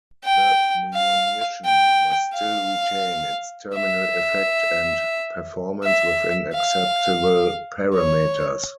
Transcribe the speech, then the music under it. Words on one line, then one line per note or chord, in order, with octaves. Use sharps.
The munition must still retain its terminal effect and performance within acceptable parameters.
G5
F5
G5
F5
E5
E5
F5
C#5